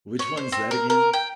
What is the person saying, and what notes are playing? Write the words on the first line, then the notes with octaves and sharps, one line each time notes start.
Which one's that again?
C#5
C5
C4
A#4
A#4
G5